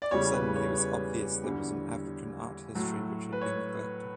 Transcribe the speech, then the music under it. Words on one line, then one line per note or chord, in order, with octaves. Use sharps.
Suddenly it was obvious there was an African art history which had been neglected.
D5
E2 C#3 G3 C#5
B4
C#5
C#5
E2 D3 G3
A2 F#3 A3
B4
C#5